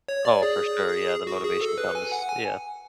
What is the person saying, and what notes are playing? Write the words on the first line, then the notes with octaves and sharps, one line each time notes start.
I oh, for sure, yeah. The motivation comes, yeah.
C#5
D5
G#4
F#4
G#4
A4
B4
G#5
F#5
G#5